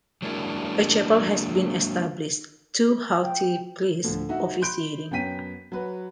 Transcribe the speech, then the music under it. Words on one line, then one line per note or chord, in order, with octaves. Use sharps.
A chapel has been established, two haughty priests officiating.
F#3 G#3 A#3 D4 E4 G#4
G5
D2 A2 F3
D#4 F#4 E5 F#5
B5 C6 G6 D7
F#2 B3 C#4 G5 B6 D#7
F#3 F#4 B4